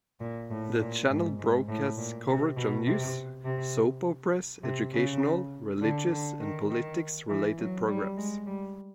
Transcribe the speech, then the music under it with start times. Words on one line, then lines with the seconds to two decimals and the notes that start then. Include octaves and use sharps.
The channel broadcasts coverage of news, soap operas, educational, religious and politics related programs.
0.21 A#2
0.50 A2
0.80 A#2
1.09 G#2
1.39 G#2
1.68 A2
1.97 A#2
2.27 C3
2.56 B2
2.86 C3
3.45 C3
4.63 C3
4.92 C#3
5.81 D3
6.11 D3
6.40 D#3
6.70 D#3
7.29 E3
7.59 F#3
7.88 G3
8.17 G#3
8.46 G3